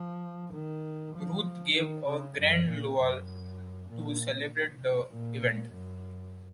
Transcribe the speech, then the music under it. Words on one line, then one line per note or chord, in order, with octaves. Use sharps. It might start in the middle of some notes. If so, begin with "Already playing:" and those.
Ruth gave a grand luau to celebrate the event.
Already playing: F3
D#3
F3
D#3
C#3
F#2
A#2
F#2
A#2
A#2
F#2